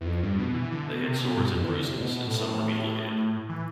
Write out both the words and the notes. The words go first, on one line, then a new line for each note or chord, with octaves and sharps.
They had sores and bruises, and some were mutilated.
E2
F2
G2
B2
E3
D3
B2
C3
B2
G2
F2
E3
D3
C3
A2
B2
A2
E3